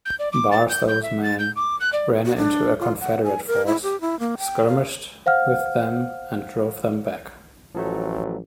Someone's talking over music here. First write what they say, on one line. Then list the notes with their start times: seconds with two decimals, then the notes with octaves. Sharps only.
Barstow's men ran into a Confederate force, skirmished with them and drove them back.
0.05 G6
0.19 D5
0.32 D6
0.51 A6
0.69 G6
0.87 G6
1.02 E5
1.23 A6
1.38 G6
1.55 D6
1.80 F#6
1.92 D5
2.25 F#4
2.37 D4
2.80 F4
3.00 F#5
3.24 G#5
3.47 A#4
3.66 E4
3.83 G4
4.01 E4
4.20 A#3
4.38 G5
4.68 F5
5.26 C5 F5 F#5 F6
7.75 A1 F3 F#3 A3